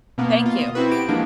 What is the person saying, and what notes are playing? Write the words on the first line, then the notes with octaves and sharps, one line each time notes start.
Thank you.
B2 A#3 B3
F4
D#6
C4 E4 F#4 B4
F#4 G4 D7
E3 F3 G#3 A#3 D4